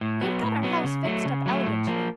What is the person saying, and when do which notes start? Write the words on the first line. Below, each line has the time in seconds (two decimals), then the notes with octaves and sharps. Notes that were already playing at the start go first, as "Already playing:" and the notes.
We have got our house fixed up elegantly.
0.01 A2
0.21 F#3 B3
0.43 A2
0.63 F#3 B3
0.84 C#3
1.05 F#3 A3
1.25 C#3
1.46 F#3 A3
1.66 A2
1.87 F3 A#3